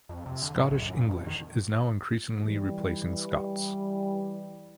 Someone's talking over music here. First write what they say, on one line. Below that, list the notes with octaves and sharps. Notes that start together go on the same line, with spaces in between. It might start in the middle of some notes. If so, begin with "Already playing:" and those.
Scottish English is now increasingly replacing Scots.
F2
C3
D3
A2
B1
F#2
A#2
F2
D#3
E3 G3